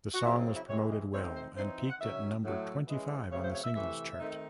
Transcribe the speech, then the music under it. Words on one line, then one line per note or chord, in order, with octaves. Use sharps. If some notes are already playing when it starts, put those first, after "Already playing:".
The song was promoted well and peaked at number twenty-five on the singles chart.
F#4
C#3 F#3 C4 E4
D#4
E4
C3 E3 G#3 C#5
D#5
D#3 A3 C4 D#4 C#5
C5
E3 C4 D#4 C5
C#5
E5
F#5
D#3 F#3 C#4 E5
A2 F#3 A3
E3 G#3 C#4 D#5
C#3 F#3 A3 C4 C#5
C5
C#5
E5
C3 E3 A3 E5
D#3 A3 C4 D#4